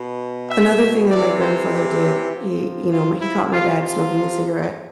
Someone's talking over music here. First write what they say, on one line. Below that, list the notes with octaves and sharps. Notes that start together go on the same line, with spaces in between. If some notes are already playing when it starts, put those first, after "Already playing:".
another thing that my grandfather did, he, you know, my he caught my dad smoking a cigarette,
Already playing: B2
E5
C3 E3 D5
C5
G4
C3 F3
F4
E4
C3 F3 F4
F4